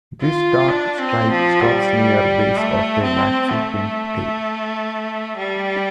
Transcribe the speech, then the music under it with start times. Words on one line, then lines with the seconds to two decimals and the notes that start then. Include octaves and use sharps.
This dark stripe stops near base of a waxy-pink tail.
0.21 F4
0.69 D4
1.00 C4
1.31 F3
1.61 G3
2.56 A3
3.03 C4
3.50 A3
5.37 G3